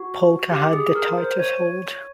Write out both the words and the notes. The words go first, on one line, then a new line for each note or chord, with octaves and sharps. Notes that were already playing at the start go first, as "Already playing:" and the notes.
Polka had the tightest hold.
Already playing: F#4
G4
G#4
A#4
C5
C#5